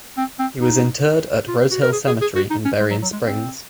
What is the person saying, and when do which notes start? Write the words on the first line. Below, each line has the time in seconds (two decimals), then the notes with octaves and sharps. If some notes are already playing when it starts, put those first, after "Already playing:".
He was interred at Rose Hill Cemetery in Berrien Springs.
0.17 C4
0.39 C4
0.61 D#4
1.48 F4
1.71 F#4
1.82 A#4
1.93 G#4
2.07 G#4
2.22 G#4
2.36 F#4
2.51 D#4
2.65 C#4
2.80 G#3
2.91 F#3
3.02 F#3
3.13 G#3
3.24 C4